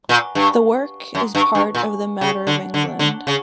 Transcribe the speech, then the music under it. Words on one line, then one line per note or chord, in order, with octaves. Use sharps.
The work is part of the Matter of England.
A#2
G2
F#2
G2
G2
A#2
C#3
D3
D3
D3
C#3